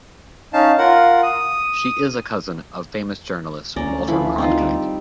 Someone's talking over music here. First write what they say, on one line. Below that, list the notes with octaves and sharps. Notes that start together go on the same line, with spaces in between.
She is a cousin of famous journalist Walter Cronkite.
C#4 D#4 F5 A5
F4 A#4 F#5
D#6
D2 C#4 D5 A#5
E3 F3 B5
C4 D#4 F4
G3